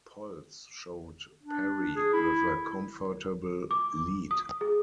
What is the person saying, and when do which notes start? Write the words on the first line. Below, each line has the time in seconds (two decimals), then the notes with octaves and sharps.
Polls showed Perry with a comfortable lead.
1.43 D4
1.96 G#4
2.13 E4
3.71 D6
4.31 D#6
4.61 G#4